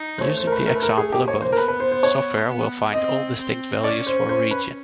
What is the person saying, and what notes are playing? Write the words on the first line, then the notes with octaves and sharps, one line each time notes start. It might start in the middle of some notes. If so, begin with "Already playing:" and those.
Using the example above, software will find all distinct values for "Region".
Already playing: D#4
C5
A3 C#5
C5
A#4
B4
A#4
B4
A#4
G#4
A#3 G4
C#5
C5
A#4
B3 B4
B4
C5
C5
C#5
B3
C4 D#5
C4
C#4 D5
C5
C5
B4